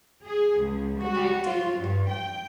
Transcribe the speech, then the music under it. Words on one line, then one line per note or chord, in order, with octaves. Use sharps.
Good night, David.
G#4
C#2
F#4
F4
G2
G5